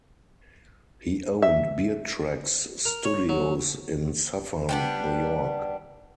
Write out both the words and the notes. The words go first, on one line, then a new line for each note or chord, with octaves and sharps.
He owned BearTracks Studios in Suffern, New York.
E5
A#4
C#5
F#3
G3 B3 D4